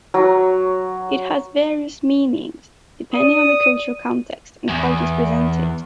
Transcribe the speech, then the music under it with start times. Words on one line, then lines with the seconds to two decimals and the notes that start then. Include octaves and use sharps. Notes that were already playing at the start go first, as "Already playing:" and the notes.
It has various meanings, depending on the cultural context and how it is presented.
0.14 F#3
3.15 D5 D#6
4.70 E2